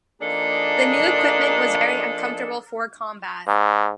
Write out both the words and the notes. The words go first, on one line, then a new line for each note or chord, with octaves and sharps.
This new equipment was very uncomfortable for combat.
F3 A#3 D4 D#4 G#4 A4
G#2